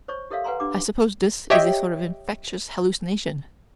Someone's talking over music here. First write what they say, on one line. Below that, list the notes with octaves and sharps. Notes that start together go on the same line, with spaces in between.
I suppose this is a sort of infectious hallucination.
C5 C#5 C#6
G4 A4 A#4 C#5 E5 F5
B4 F#5 G#5 A#5 C6
D4 G4 D6
G4 C#5 D#5 E5 G5